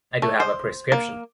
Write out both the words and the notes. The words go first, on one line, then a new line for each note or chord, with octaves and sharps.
I do have a prescription.
A3
C5
A#3